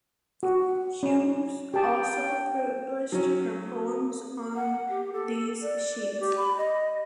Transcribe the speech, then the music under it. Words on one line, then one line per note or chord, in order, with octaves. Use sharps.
Hughes also published her poems on these sheets.
F#4
C#4
G4 G5 A5
F#3 C#4
F#5
G4
A4
D5
G4
B5
D#5